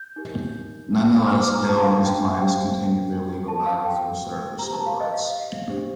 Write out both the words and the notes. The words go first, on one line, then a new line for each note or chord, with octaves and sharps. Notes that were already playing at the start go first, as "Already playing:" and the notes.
Nonetheless, Hill and his clients continued their legal battles to assert their civil rights.
Already playing: G6
D#4 G4 A#4
D4 F4 A4 C5 F6
D6
A#5
A5
F5
G5
F5
G4 C5 G5
F4 A4 C5 A5
F5
G5
G4 C5 A#5
A5
F5
D#5
F5
D4 G4 C5